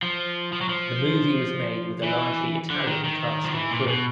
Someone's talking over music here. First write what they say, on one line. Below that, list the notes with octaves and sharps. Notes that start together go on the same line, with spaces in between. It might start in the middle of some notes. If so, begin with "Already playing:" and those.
The movie was made with a largely Italian cast and crew.
F3
F3
F#3
F3
E3
D3
D#3
D#3
F3
E3
A#2
B2